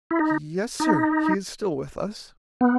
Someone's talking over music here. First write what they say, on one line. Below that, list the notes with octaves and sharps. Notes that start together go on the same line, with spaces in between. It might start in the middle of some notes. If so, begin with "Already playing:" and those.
"Yes, sir, he is still with us."
E4
D#4
D#4
B3